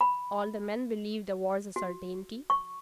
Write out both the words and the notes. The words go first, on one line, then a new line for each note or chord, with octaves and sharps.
All the men believe the war's a certainty.'
B5
F#4
C#6